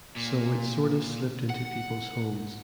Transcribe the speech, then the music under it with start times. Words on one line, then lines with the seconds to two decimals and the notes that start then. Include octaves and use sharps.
So it sort of slipped into people’s homes.
0.16 A#2
1.50 F#5